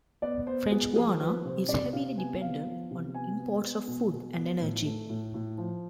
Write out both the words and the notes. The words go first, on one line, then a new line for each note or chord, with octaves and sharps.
French Guiana is heavily dependent on imports of food and energy.
B3 D5
B3 C5
B3 G#4
F3 G#4
F3 B4
C3 C5
C3 D5
C3 F5
B3 G#5
B3 F5
F3
C3
B3 G#5
B3
B3
B2
B2
B3
A2
A3
A2
A2
F3